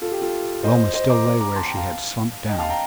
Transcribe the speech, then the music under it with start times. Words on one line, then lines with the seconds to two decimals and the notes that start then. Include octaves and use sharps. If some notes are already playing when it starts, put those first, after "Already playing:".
Wilma still lay where she had slumped down.
0.01 F4 A4
0.12 G4
0.21 F4 A4
0.63 C5 D#5
0.94 C5 D#5
1.09 A#5 D6
1.25 A#5 D6
1.40 A#5 D6
1.56 A5 C6
1.66 G5 A#5
1.77 F5 A5
2.49 D#5 G5
2.59 F5 A5
2.69 G5 A#5